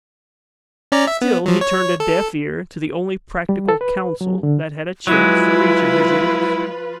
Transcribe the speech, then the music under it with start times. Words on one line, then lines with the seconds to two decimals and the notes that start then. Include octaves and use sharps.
Still he turned a deaf ear to the only practical counsel that had a chance for reaching his ears.
0.92 C#4 D5 A#5
1.07 E5
1.21 B3
1.46 F3 F#3
1.61 C#5
2.00 A4
3.49 G3
3.69 A4
3.81 B4
4.21 F#3
4.43 D3
5.07 F3 F#3 G#3 E4 F4 B4